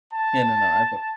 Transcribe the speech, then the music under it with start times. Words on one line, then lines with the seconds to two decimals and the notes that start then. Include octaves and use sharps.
Yeah, no, no, I've got
0.13 A5